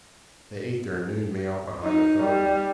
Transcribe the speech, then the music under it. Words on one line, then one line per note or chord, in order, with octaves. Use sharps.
They ate their noon meal behind a third one.
D#4
G3